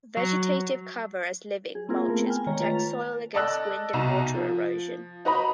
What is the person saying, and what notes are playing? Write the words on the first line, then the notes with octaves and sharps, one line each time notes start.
Vegetative cover as living mulches protect soil against wind and water erosion.
F#3
G#4
A#3 C4 E4 F4 G#4 A#4
A3 B3 A#4
G5 G#5 F6
D#3 G#3 C#5 A#5
A3 F4 B4 A#5 A6 F7
A4 D5 D#5 A5 E6 F#6
C2 B2 D#4 A#5 E7
F3
D#4 F#4 B4 D#5 A#5 B5